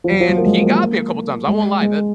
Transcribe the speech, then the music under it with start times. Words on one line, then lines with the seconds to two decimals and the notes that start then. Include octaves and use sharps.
and he got me a couple of times, I won't lie. The
0.04 F3
0.11 F#3
0.20 F3
0.29 F#3
0.38 A#3
0.45 G#3
0.62 A#3
1.47 G#3
1.81 G#3